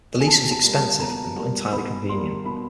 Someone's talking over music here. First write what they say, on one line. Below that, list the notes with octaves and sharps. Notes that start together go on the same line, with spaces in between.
The lease was expensive and not entirely convenient.
G#5
B2 A5
A5
G3 A#3
A5
B2 A#5
G3 A#3
B2 B5
G3 A#3 C6
B2 B5